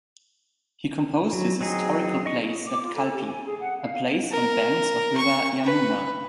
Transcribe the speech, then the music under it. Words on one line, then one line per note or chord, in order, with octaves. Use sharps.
He composed his historical plays at 'Kalpi', a place on banks of river Yamuna.
F#3
F#3 C4 D#4 G#4
D#5 C#6
D6
F4
A4
G4
G#5
G#4
F#5
F5
A#4
C#6
B4